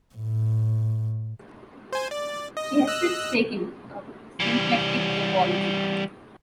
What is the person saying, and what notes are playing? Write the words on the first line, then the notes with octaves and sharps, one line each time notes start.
She has since taken up symplectic topology.
A2
C5 G#5
D5
D#5
D#5 E6 F#6
E3 G3